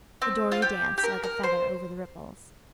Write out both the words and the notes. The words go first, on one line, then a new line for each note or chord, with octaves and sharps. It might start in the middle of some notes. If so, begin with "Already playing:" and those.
The dory danced like a feather over the ripples.
C4
F4
G4
G4
A#4
A#4
C5